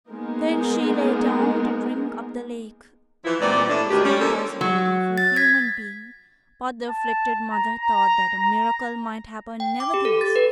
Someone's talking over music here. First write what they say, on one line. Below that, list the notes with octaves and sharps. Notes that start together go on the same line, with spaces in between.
Then she lay down to drink up the lake, and that was an impossibility for a human being, but the afflicted mother thought that a miracle might happen nevertheless.
G#3 A#3 B3 D#4 G#4 A#4
E3 F3 E4
G2 A#2 E3 B3 C4 D5
A2 E3 D4
D2 D#3 G4
G3 C#4
F3 A#3 C#4 D4 A4
F#3
A6
G#6 B6
A5
A#5
A#5
A#5
G5
D6
G4
A4
A6
B4